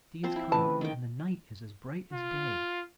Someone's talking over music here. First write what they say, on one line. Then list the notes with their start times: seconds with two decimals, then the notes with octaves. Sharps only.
The sea is calm and the night is as bright as day.
0.23 F3 C4 C5
0.36 E4
0.52 C#3 E3 A3 B4 A5
0.81 D#3 G5
2.12 F4